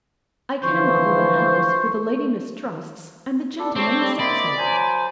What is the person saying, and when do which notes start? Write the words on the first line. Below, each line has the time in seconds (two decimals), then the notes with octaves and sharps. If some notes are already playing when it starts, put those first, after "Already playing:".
"I can not live in a house where the lady mistrusts and the gentleman insults me."
0.63 D3 E3 F3 C5 C#6
3.59 G3 D4 A4
3.76 C4 A4 C#5 D5
3.99 G3
4.19 A#3 C4 E4 D5 D#5 B5
4.59 F#3 C5 G#5